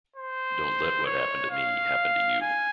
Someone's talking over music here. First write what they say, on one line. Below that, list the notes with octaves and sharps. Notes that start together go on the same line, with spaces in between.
Don't let what happened to me happen to you.
C5
C#5
F5
G#5